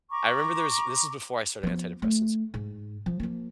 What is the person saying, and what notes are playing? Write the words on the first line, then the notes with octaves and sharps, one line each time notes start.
I remember there was this is before I started antidepressants.
A#5 C#6 D6
F3 B3
A3
G#2
F3
F3 A#3